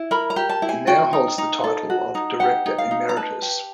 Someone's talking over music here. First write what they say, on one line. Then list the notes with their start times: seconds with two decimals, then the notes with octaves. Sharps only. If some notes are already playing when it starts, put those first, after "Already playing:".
He now holds the title of Director Emeritus.
Already playing: E4
0.11 A#4 B5
0.30 A#5
0.36 G4
0.49 A5
0.62 E4
0.69 G#5
0.87 F#4 G5
1.13 D#4
1.38 D#4
1.64 A4
1.90 F#4
2.15 D#4
2.40 G4 F#5
2.66 D#4
2.78 F5
2.91 D#4
3.09 A#5
3.17 B4 A5
3.42 G4